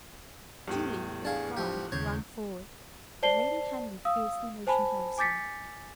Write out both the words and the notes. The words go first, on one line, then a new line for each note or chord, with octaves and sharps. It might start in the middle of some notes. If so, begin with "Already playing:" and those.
Julie, with a cry, ran forward, but Lady Henry fiercely motioned her aside.
E2 A2 G3 G4
D4 G#4 F5 A5
F3 G4
D#2 C#3 C#5 G6
C5 D5 A5 C7 G7
F5 D#6 E6
C5 G#5 A5 B5
G#5 D6 G6 A6 B6 C#7